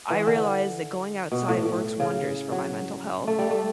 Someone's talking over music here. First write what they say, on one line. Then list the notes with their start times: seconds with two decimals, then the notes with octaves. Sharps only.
I realized that going outside works wonders for my mental health.
0.10 E3
0.27 D3
1.32 B2
1.48 A2
1.65 A2
2.00 C#3
2.52 F#3
3.27 A3
3.39 G3
3.51 A3